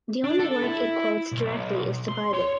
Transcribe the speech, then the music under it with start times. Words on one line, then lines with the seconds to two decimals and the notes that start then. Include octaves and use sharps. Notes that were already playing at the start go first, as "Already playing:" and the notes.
The only work it quotes directly is the Bible.
0.24 D4
0.39 A4
0.63 E4
1.32 B1
2.08 C6
2.34 C#5